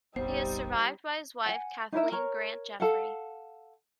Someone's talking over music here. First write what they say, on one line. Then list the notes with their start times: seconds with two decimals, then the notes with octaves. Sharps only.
He is survived by his wife, Kathleen Grant Jeffrey.
0.16 F1 A#1 G3 B3 C4 D#4 C5
1.46 F#5 G#5
1.92 D#4 E4 A#4 E5
2.12 A#4 C#5 A#5
2.80 A4 F5 F#5